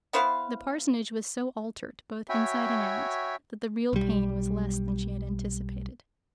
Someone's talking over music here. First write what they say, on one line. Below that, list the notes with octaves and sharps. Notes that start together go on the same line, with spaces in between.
The parsonage was so altered, both inside and out, that the real pain was less than she had anticipated.
B3 E4 C5 F5
F#4 C#5 E5 G5 G#5 B5
B1 G3